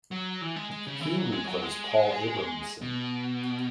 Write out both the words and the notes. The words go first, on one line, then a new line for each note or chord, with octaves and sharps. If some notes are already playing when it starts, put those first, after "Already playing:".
He replaced Paul Abramson.
F#3
E3
G#3
G#3
C#3
E3
F#3
G#3
F#3
G#3
B2